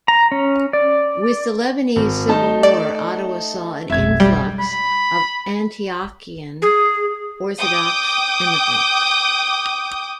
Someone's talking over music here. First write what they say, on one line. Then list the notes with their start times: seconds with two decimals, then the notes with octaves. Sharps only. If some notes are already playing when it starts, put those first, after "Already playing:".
With the Lebanese Civil War Ottawa saw an influx of Antiochian Orthodox immigrants.
0.08 A#5
0.32 C#4
0.73 D5
1.96 G#1
2.28 A3 D#4 A5
2.63 D5
3.90 F1 B1 E5 G#6
4.20 G3
4.59 B5
6.62 G#4
7.60 G5 D6 D#6 G6